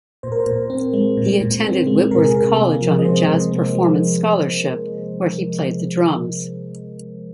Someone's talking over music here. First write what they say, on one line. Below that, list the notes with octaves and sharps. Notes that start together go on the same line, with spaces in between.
He attended Whitworth College on a jazz performance scholarship, where he played the drums.
A#2 C5
A#4
C5
A#2
C4
G#3
A#2
A#2
C4
G#3
C3 A#4
G#4
C3 A#4
A#3
F3
D#5
C3 C5
C3
A#3
F3